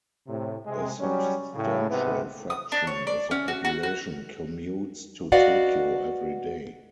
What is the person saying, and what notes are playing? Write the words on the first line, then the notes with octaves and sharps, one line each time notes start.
A substantial fraction of the population commutes to Tokyo every day.
A2 C3
C3 G#3
F#3 G3 C#4
A2 C#3
G#2 C3 B3 B4
D#6
D4
C#5
D5
C#4
F#4
F#4
F#4
F#4 B4 D5 D#5 F5 F#5